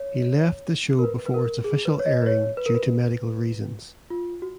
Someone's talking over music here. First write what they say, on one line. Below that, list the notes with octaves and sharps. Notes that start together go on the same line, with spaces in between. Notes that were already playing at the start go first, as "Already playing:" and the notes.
He left the show before its official airing due to medical reasons.
Already playing: C#5
A#4
B4
B4
A#4
G#4
B4
C#5
D#5
B4
C#5
B4
A#4
B4
F4
F#4